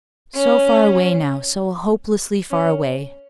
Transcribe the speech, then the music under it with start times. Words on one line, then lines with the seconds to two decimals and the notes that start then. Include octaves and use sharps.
So far away now, so hopelessly far away!
0.35 C#4
2.51 C#4